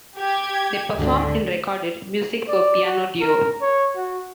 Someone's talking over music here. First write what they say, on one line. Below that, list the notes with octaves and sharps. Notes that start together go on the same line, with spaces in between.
They performed and recorded music for piano duo.
G4 G#6
D2 G#2 D3
D5
F#4
A#4
C#5
F#4